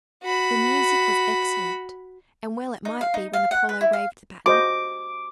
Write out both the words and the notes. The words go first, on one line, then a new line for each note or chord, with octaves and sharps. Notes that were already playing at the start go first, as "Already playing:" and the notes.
The music was excellent, and well it might be when Apollo waved the baton.
F#4 B5
D#4
F5
D#4
F5
F#5
B4
E4
F5
F#4 C5 D#5 D6